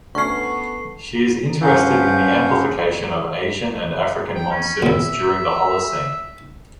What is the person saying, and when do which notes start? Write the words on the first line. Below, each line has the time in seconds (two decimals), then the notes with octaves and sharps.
She is interested in the amplification of Asian and African monsoons during the holocene.
0.15 D2 B3 C#4 A4 C#6 C7
1.62 G2 F3 C#4 F5 F#5 G6
4.35 G5
4.50 C#4
4.83 E2 A#2 E5